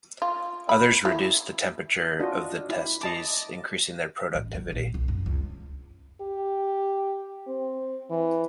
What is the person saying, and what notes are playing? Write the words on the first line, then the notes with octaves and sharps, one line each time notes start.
Others reduce the temperature of the testes increasing their productivity.
F4
B5
E4
D4 F4 F#4 D#5
E4
D#5 A5 D6
A1
F#3
A#1
C2
F#2
C#2
D3
G4
C4
E3